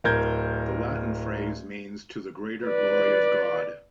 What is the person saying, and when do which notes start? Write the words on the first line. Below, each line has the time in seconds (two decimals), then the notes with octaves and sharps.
The Latin phrase means 'To the greater glory of God'.
0.04 D1 A#4 G6 G#6
2.64 B4 D5